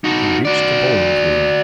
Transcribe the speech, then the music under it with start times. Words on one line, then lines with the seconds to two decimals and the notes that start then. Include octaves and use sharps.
He reached the bowling-green.
0.04 D#4 F#4
0.45 F#4 D5